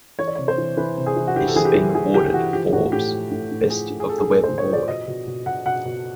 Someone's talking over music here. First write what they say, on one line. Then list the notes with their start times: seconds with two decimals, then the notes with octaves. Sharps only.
It has been awarded Forbes' Best of the Web award.
0.19 E3 C#5
0.27 D5
0.35 C#5
0.38 C3
0.48 C5
0.58 E3
0.77 E3 B4
0.97 C3
1.06 G#4
1.16 E3
1.27 F#4
1.36 E3 G4
1.48 A4
1.56 E3 G#4
1.65 G4
1.75 E3
1.95 E3 G#4
2.14 E3 G4
2.33 E3 F#4
2.53 F3 G4
2.72 A2 F#4
2.92 A2 G4
3.12 F3
3.31 A2
3.51 A2
3.70 F3 G#4
3.90 A2
4.00 G#4
4.09 F3 A4
4.18 G#4
4.29 A2 A4
4.44 C5
4.48 A2
4.58 C#5
4.68 F3 D5
4.88 B2 D#5
5.08 B2
5.27 B2
5.46 B2 F#5
5.66 B2 F#5
5.85 B2